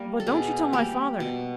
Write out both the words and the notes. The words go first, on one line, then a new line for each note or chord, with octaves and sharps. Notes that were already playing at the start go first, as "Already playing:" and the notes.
But don't you tell my father!
Already playing: G3 A#3
A4
B2 G#4
G3 A#3 G4
B2